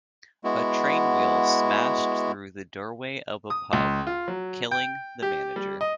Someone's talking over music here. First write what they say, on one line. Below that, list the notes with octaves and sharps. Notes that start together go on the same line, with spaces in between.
A train wheel smashed through the doorway of a pub, killing the manager.
G#3 B3 E4 F#4
D#6
C#2
F4
F#3
G5
G4
G3
D#5